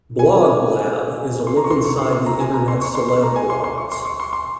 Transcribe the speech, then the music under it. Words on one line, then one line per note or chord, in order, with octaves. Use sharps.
"Blog Blab" is a look inside the internet celeb blogs.
G#5
C6
A#5
C#6
C6
C#6
C6
C6
A#5
G#5
A#5
C6
C#6
C6
C6
A#5
G#5
C6
C6
C#6
C6
C#6
C6
C6